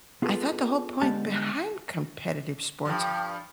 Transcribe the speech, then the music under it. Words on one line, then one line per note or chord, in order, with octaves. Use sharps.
I thought the whole point behind competitive sports
B3 F4 G#4 A4 B4
D3 G#3 B3 G4 A5
G2 F3